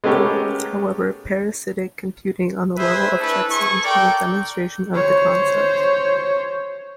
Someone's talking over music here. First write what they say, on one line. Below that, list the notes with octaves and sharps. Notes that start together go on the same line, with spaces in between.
However, parasitic computing on the level of checksums is a demonstration of the concept.
G#3 A3 B3 C#4 G4 A#4
G#4 B4 C5 E5
A3 D4 E4 A4 B4
G#4 A4 C#6
A4 A#4 D5 G5
C5 C#5